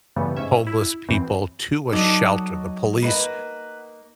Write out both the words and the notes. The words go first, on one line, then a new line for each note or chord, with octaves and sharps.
homeless people to a shelter, the police
G2 C#3 E3 G3 A3 B3
G#2 C#4 E5
E4
F#2 E3 C4
F#3 D#4 A4 D5 F#5
A#3 F#4 A#4 B4 D#5